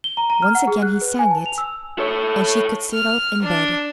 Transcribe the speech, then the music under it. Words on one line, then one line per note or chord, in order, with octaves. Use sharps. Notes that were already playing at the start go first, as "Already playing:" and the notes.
Once again he sang it, and she could sit up in bed.
G7
A#5
A#5
F6
F#5
G#4
F#6
B4
G#5
A5
F7
E6
A4 C#5
F6
D4